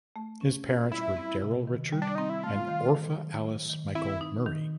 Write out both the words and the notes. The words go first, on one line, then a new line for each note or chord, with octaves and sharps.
His parents were Darrell Richard and Orpha Alice Michael Murray.
A3
C#4
F4
G3 E4
C4
C3
D#3
G3
D4
C4 D#4
E4
A3 F4
D#3
D#3
F#3
A3
D#3
C4 E4
D#4
D#3